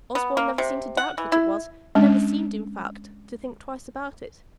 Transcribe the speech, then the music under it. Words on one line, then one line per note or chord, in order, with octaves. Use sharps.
Osborne never seemed to doubt that it was--never seemed, in fact, to think twice about it.
B3
A#3
C3
F#5
E3
E4
G#3 C#4 D4